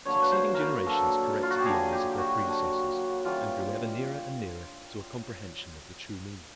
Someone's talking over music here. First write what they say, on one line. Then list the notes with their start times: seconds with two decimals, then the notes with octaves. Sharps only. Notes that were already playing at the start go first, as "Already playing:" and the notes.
Succeeding generations corrected the errors of their predecessors, and grew ever nearer and nearer to a comprehension of the true meaning.
0.05 D3 F#3 A#3 C#5
0.22 B4
0.32 C5
0.54 A#4 B4
0.86 D3 F#3 A#3 A4
1.43 F4
1.50 F#4
1.58 G4
1.65 D3 F#3 A#3 G#4
1.92 G4
2.12 G4
2.18 F#4
2.45 D3 F#3 A#3
3.25 C#3 E3 G3 A#3 F4